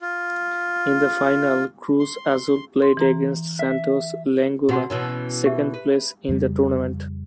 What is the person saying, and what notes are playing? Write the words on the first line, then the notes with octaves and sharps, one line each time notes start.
In the final, Cruz Azul played against Santos Laguna, second place in the tournament.
F4
C6
C6
E3 A#5
E5
B2 F#4 F#5 C6
B2 E3 C#4
G4 E5
B4
F2 C#3 G3